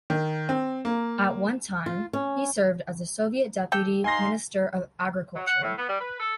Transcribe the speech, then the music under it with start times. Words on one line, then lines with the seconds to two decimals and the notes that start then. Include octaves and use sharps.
At one time, he served as the Soviet Deputy Minister of Agriculture.
0.10 D#3
0.49 C4
0.85 A#3
1.86 F4
2.13 C#4
3.72 G4 A4 G5
4.04 D#4 F5 G#5 C6 A#6
5.34 F#3
5.46 F#5
5.61 A2
5.76 B3
5.88 G3
6.01 B4
6.20 A4